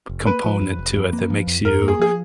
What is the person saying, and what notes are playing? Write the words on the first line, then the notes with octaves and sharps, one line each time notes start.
component to it that makes you
F1
A#3 B4
F3
F2
F1
F2
A#3
F3
F2
F2 A#4
A#3
G#4
F3 G#4